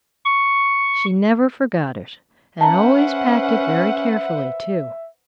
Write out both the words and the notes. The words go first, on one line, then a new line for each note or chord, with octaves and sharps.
She never forgot it, and always packed it very carefully, too.
C#6
C#4 B4 C5 E5 F#5 A5 A#5